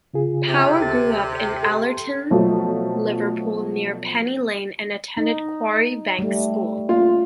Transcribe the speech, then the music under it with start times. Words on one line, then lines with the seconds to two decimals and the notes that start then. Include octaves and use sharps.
Power grew up in Allerton, Liverpool near Penny Lane and attended Quarry Bank School.
0.14 C#3 F4 G#4
0.46 C3
0.80 D2 A4 A6
1.63 A4 C6
2.30 B2 F3 F#3 A3
5.17 D#4
6.19 G3 A3
6.89 F4